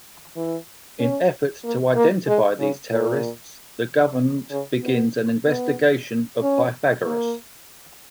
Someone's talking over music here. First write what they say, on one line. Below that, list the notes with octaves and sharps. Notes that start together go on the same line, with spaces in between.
In efforts to identify these terrorists, the government begins an investigation of Pythagoras.
E3
C#4
A#3
A#3
G#3
C#3
A#2
C#3
B3
B3
C#4
A#3